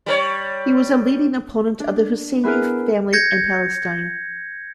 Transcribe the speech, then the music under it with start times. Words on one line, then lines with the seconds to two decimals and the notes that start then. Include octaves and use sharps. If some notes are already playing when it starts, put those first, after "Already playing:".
He was a leading opponent of the Husayni family in Palestine.
0.06 G3 A#4 C#5
1.80 D4
2.43 B3 E4 G#4 A#4 B4
3.13 G6 G#6 A#6 C#7